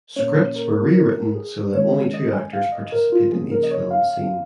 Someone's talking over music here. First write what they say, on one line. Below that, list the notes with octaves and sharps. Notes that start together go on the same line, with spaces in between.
Scripts were rewritten so that only two actors participate in each filmed scene.
A#2 A#3 C#4 C#5
A#4
A#4
G#4
D#3 G#3 C#4 C#5
D#5
G#5
F5
D#5
A#4
F4
C#3 F3 A#3 C#4 G#4
A#4
D#5
C#5
F5
F5